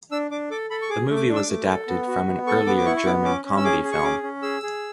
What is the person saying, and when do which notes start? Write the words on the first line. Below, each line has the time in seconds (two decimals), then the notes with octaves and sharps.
The movie was adapted from an earlier German comedy film.
0.11 D4 E6
0.31 D4 D6
0.51 A4 D6
0.70 A4 B5
0.82 C#6
0.90 G#4 D6
1.09 A3
1.16 D6
1.29 D4
1.35 E6
1.42 D6
1.49 A3
1.68 A4
1.88 B3
2.07 F#4
2.27 B3
2.47 A4 C#6
2.66 B3 D6
2.77 D6
2.86 E4 C#6
2.97 C#6
3.05 B3 D6
3.25 C#4 D6
3.45 C#4
3.57 E6
3.64 G#4 D6
3.84 G#4
3.92 C#6
4.03 C#4 D6
4.23 C#4
4.42 G#4 E6
4.62 G#4